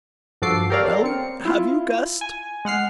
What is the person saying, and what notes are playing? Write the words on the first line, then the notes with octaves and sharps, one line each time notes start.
"Well, have you guessed?"
G2 F3 F#4 A4 D6 C7
G4 A4 A#4 C#5 D5 F5
C4 C#7
E4 F4
G#5
G#3 F#5 F6 C7